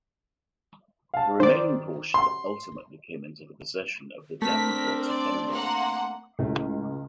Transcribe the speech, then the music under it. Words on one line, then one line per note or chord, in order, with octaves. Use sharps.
The remaining portion ultimately came into the possession of the Davenports of Henbury.
F5 A5
D#3 C5 D5
C6
A3 C4 D4 A#4 B6
D5 C6
A#3 F#5
C#2 A2